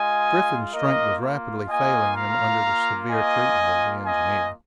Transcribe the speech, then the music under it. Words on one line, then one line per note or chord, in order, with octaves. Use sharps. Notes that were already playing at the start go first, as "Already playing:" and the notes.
Griffin's strength was rapidly failing him under the severe treatment of the engineer.
Already playing: G#3 F4 D#5 G#5
A#3 F4 A#4 D#5
A#3 F4 D#5 G#5
F5 A#5
A#3 F4
D#5 G#5
A#3 F4
D#5 G#5